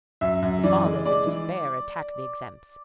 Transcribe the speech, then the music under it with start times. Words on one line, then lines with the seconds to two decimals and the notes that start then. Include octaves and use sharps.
The fathers, in despair, attacked the exempts.
0.21 F#2 E5
0.42 F#2
0.64 E3 D5
0.85 G#3
1.05 G#3 D5
1.27 E3